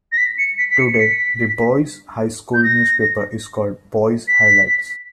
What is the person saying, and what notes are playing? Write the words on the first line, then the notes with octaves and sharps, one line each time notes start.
Today, the Boise High School Newspaper is called "Boise Highlights".
A#6
B6
C#7
B6
B6
C#7
C#7
B6
G6
A#6
B6